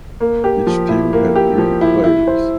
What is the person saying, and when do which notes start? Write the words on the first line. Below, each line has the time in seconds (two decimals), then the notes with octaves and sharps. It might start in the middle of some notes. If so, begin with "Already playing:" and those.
Each team had three players.
0.20 A#3
0.44 G4
0.67 F3
0.89 E4
1.13 A#3
1.35 G4
1.58 F3
1.81 E4
2.04 E4
2.27 C5